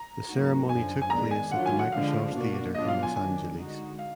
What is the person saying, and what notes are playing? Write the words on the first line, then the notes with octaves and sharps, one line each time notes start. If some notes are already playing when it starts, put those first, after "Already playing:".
The ceremony took place at the Microsoft Theater in Los Angeles.
Already playing: A#5
G#2 F#3 A#3 D#4 F#4
F#2 D3 F3 G#5
G#5
D#3 G#3 B3 D4 A#5
G#5
D#3 F#3 D4 F4 F#5
G#5
F#5
D3 F3 G#3 D4 F5
B2 A#3 D4 F#4
B2 F#3 B3 D4 F4 D#5
F5
G#5
D#3 F#3 D4 G#5
D3 G#3 D#4 F#4
F5